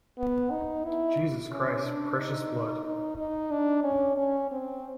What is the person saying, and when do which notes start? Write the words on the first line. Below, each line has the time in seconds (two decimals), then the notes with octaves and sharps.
Jesus Christ, Precious blood!
0.18 B3
0.51 D#4
0.84 E4
1.51 C#4
1.84 D4
2.18 D#4
2.85 D#4
3.17 D#4
3.51 D4
3.83 C#4
4.17 C#4
4.51 C4